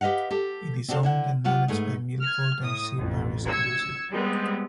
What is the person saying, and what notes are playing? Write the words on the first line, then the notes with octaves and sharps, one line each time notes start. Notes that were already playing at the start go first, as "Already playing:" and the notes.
It is owned and managed by Milford On Sea Parish Council.
G4 B4 D#5 F5 F#5
G4 A4
C4 D4 F#4 G#4 A4 F5
D3 E4 F#5
F#3 F4 G4 F#5
G#2 A3 G#4 B4
F6 G#6
A2 D#6
A1 F2
E6 G#6 C#7
G3 G#3 B3 C4